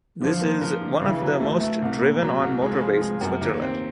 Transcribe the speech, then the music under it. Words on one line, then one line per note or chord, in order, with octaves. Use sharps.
This is one of the most driven-on motorways in Switzerland.
D3 F3
A#3
F3
D3
C#3 E3
F#3
A3
A3
C2
A#2
F#3
C2
F3 G#3
G#3
G#3
F#2
D#2
C4